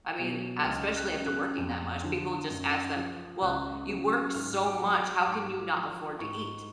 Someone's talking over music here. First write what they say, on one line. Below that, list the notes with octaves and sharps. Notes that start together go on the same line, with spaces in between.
I mean, uh, especially after working that much, people just ask them, "Well, you work so much, how can you not afford to eat?"
B2 F#3
C#2 F6
F#6
C#3 F#3
F#6
F2
D3 F3
F#2
F3
C#2 F#6
C#3 F#3
G#2 F6
D6
F#3
D6
G#2 D6
F3
G#2 C#6